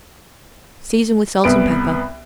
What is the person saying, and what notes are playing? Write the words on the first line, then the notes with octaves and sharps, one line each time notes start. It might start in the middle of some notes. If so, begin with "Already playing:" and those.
Season with salt and pepper.
C2 B3 B5 D7